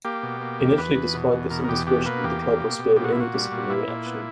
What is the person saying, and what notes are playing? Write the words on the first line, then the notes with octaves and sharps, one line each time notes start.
Initially despite this indiscretion, the club was spared any disciplinary action.
A#3 G4
B2
A#3
E2
E2 B4
E2
B2
E2
B2 A#4
A#4
E2 G4
B2 G4
A#3 B4
E2 G4
A#3
B2
B2
A#2 G4
F#4
A#2 E4
F#4
G3
A#2
A#2 E4
A#2
B3